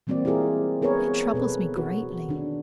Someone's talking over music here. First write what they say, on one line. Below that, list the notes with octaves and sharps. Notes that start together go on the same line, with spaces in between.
It troubles me greatly.
E3 G3 A#3 C4 F#4 D5
E4 F4 G4 G#4 A#4
B3 G#4 A#4 B4 C#5
B2 A4 B4
F#4
D#3 D4